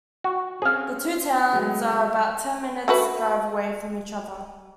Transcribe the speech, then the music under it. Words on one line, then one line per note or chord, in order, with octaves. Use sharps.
The two towns are about ten minutes' drive away from each other.
F#4
C4 C#4 G#4 F5
F#3 G#3 A3
A3 F#4 B4